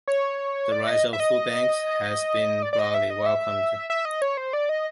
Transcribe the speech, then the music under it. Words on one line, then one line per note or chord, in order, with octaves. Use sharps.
The rise of food banks has been broadly welcomed.
C#5
D5
D#5
E5
D#5
D5
D5
D#5
E5
D#5
E5
E5
D#5
C#5
C5
D5
D#5